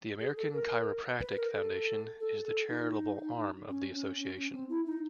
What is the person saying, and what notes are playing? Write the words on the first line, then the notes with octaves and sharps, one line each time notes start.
The American Chiropractic Foundation is the charitable arm of the association.
G#4
A4
A#4
B4
A#4
A4
A4
A4
D#4
C#4
C#4
C#4
C#4
C4
E4
D#4